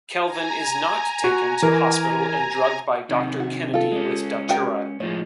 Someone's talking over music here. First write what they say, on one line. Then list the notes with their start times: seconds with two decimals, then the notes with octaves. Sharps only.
Kelvin is not taken to hospital and drugged by Doctor Kennedy with Datura.
0.24 G#5 A#5
1.24 F#4
1.62 E3 A#4
3.09 C3 D#3
3.40 F#4
3.74 F4 A4
3.92 G#3 C#4
4.49 F#4 A#4 G5
5.00 A2 F3 G#3 C#5